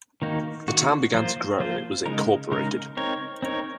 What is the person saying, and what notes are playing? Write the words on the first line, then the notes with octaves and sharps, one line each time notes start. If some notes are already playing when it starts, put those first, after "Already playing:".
The town began to grow and it was incorporated.
D#3 A#3 D#4 F#4
D#3 A#3 D#4 F#4
F3 A#3 F4 C5
F3 A#3 F4 C5
C#3 G#3 D#4 A#4
C#3 G#3 D#4 A#4
C4 D#4 A#4 C#5
C4 D#4 A#4 C#5